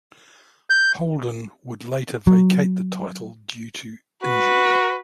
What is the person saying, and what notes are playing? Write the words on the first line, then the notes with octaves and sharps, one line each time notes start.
Holden would later vacate the title due to injury.
G6
F#3
F#4 B4